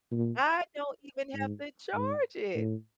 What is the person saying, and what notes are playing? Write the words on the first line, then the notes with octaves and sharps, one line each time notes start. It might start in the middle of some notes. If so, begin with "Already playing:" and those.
I don't even have to charge it!
A#2
G#2
G#2
A2